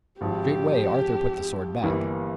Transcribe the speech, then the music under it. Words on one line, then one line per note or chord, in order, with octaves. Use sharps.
Straightway Arthur put the sword back.
G#1 G#2 F3 G4
G1 G2 E3 G3 A#3